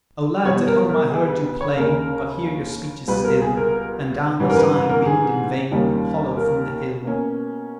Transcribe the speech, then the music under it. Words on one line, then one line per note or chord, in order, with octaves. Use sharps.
Oh lads, at home I heard you plain, But here your speech is still, And down the sighing wind in vain You hollo from the hill.
B2 G3 B3 C#5
A#4
A#4
G#4
B4
B4
C#5
D#2 C#3 G#3 C#4 A#4
C#2 B2 G3 B4
A#4
G#4
A#4
G#2 E3 G3 C#4
A#4
B4
B4
A#4
G#4
D#2 D#3 G3 A#3 C#4
A#4
B2 A#3 C#4